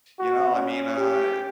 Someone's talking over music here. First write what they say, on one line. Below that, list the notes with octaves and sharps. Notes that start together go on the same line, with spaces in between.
you know, I mean, uh,
F#4
C#4
G4